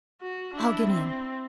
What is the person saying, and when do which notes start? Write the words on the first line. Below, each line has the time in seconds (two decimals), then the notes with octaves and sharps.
I'll get in.
0.21 F#4
0.53 D4 E4
0.85 C4